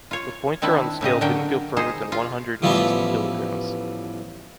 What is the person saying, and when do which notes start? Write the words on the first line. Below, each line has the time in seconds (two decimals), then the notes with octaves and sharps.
The pointer on the scale didn’t go further than one hundred and sixty kilograms.
0.11 F4 C#5
0.62 D#3 C4 D4 E4
1.01 A2 C#3 G4 D#5
1.21 D3 F#3 A#3 G5
1.77 D#4 G#4 C5
2.12 F4
2.62 A1 E3 F3 G3 B3 C#6